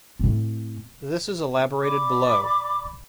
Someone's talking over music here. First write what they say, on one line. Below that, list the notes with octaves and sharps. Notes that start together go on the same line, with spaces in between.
This is elaborated below.
A2 C4
D5 B5 D6